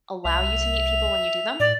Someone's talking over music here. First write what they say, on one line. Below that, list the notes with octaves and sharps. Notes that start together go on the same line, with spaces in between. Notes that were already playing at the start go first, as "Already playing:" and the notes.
allow you to meet people when you do them?
C2 E5 F7
A2 D5